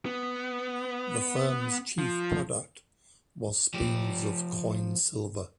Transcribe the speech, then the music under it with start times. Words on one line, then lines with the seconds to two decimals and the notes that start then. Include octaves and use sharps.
The firm's chief product was spoons of coin silver.
0.06 B3
1.98 F3
3.74 F3 G4